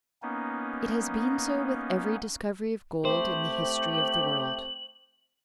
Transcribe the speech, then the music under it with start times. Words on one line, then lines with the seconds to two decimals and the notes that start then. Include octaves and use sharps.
It has been so with every discovery of gold in the history of the world.
0.22 A#3 B3 C#4 D#4
3.05 A3 C4 G4 C5 F#7